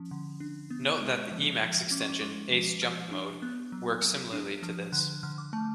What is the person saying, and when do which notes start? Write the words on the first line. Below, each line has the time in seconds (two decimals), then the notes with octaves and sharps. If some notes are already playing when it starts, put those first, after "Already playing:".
Note that the Emacs extension "Ace jump mode" works similarly to this.
Already playing: F3 C#4
0.11 D3
0.40 D4
0.70 B3
0.93 F#6
1.01 G#3 F6
1.32 F3
1.61 F3 F6
1.91 C#4 D6
2.00 C#6
2.09 D6
2.21 G#3 D6
2.52 F3
2.82 F3 F6
3.11 D4
3.42 B3 F#6
3.72 F#3
4.02 F#3 F6
4.33 D4
4.63 F3 F6
4.92 D3 F#6
5.23 D3 F6
5.38 D6
5.53 A3 A5